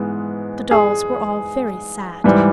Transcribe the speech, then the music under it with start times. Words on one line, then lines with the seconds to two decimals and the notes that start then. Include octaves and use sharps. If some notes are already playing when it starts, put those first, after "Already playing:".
The dolls were all very sad.
Already playing: G#2 E3 G#3 B3
0.71 G#4
2.24 G#2 E3 G3